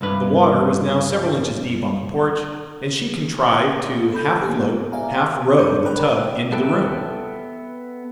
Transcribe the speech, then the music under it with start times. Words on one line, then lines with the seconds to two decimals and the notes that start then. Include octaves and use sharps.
The water was now several inches deep on the porch and she contrived to half-float, half-row the tub into the room.
0.01 C2 G2 B4
4.13 A4 B5 G6
4.42 A#3 B3 G4
4.92 D5 E5 F5 G#5 A#5
5.57 D4 D6 G6 C#7
5.85 A#4 B4 G5 A#5 B5 F#6
6.52 B3 A4 B4 E5 G5